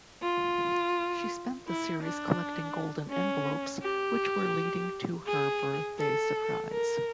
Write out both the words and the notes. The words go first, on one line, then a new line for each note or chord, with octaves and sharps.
She spent the series collecting golden envelopes which were leading to her birthday surprise.
F4
E4
D4
C#4
G4
G#4
A4
A#4